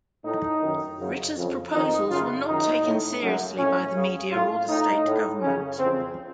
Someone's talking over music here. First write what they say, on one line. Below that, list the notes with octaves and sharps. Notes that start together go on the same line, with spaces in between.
Ritter’s proposals were not taken seriously by the media or the state government.
A2 D#4
F#2 D#3
F#2 C#3
F2 C#3
F2 D#3 D#4
F#2 C#3 F4
F#2 D#3 D#4
A2
F#2 C#3
A2 C#4
F#2 C#3
A2 F4
A2 D#4
A2
F#2 C#3 C#4
F2 C#3 C4